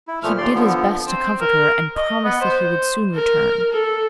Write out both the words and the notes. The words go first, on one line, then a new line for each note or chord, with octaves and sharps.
He did his best to comfort her and promised that he would soon return.
E4
A#2 F3 A3 F6
D#2 D5 C6
D3 F3 B3
C4
A#4
D#5
B3
C5
A#4
A4